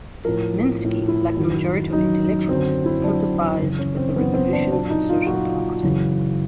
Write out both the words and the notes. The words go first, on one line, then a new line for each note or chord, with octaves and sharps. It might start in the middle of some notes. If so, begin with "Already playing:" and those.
Minsky, like the majority of intellectuals, sympathized with the revolution and social democracy.
A2 F3 A#4
A2 F3
E4
F#2 D#3 F#3
F#2 D#3 F#3 D#4
F#2 D3 F#3 C4
E4
F#2 D3 F#3 D4
F#2 C#3 E3
C#4
C4
F#2 C#3 E3 B3
C4
D4
A#2 F#3 D4
D#4
F4
A#2 F#3 F#4
F#2 C#3 E3